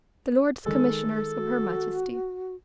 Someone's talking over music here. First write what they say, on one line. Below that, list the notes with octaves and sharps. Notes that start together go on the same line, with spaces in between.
"The Lords Commissioners of her Majesty."
D#3 G#3 A4
F#4